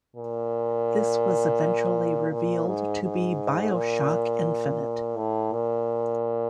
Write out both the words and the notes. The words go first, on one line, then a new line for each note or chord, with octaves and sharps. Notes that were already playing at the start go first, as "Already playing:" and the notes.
This was eventually revealed to be "BioShock Infinite".
A#2
A#2
G#2
G#2
A#2
A2
A#2